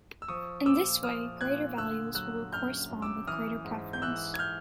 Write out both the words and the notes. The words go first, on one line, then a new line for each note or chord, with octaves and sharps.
In this way greater values will correspond with greater preference.
E6
F3 C#6 D#6
A#2 D6 E6
F3 D#6 F6
A#2 F#6 G#6
D3 E6 F#6
F#3 E6 F#6
F#2 F6 G6
F#2
D6 E6
E3 D#6 F6
G#2
G6
E3 E6 F#6
G#6
F6 G6